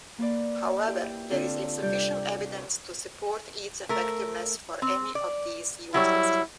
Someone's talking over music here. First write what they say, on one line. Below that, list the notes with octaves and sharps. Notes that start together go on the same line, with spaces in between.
However, there is insufficient evidence to support its effectiveness for any of these uses.
A#3 B4 D5
E4 G4
D3 C4 D4 F4 A4
C3 G3 G4 D5 G6
A3 A#4
C4
D5
F#3 G3 E4 C#5